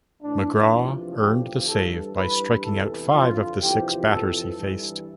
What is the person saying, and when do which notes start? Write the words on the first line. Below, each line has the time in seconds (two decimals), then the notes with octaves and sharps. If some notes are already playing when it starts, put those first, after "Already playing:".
McGraw earned the save by striking out five of the six batters he faced.
0.22 A2 E3 D4
0.71 E2 C3 F3
1.19 E2 D3 F3 G4
1.68 G2 E3 A4
2.16 G2 E3 B4
2.64 E2 C3 E3 A4
3.13 F2 D3 F3 F4
3.61 E2 C3 F3 G4
4.10 F2 E3 A4
4.58 G2 E3